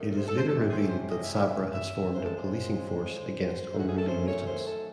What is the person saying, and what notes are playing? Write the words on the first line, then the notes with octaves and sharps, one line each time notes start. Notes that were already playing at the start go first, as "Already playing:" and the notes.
It is later revealed that Sabra has formed a policing force against unruly mutants.
Already playing: F#2 D#3 A3
C5
A4
C5
A4
C3 E3 G#3 C#4
G#4 C5
A4
C5
D#5
E5
E5
E5
C#3 G#3 C4 C5
A4
C5
F#2 D#3 A3 C#4
F#4
G#4
A4
C5
C#5
C5
A4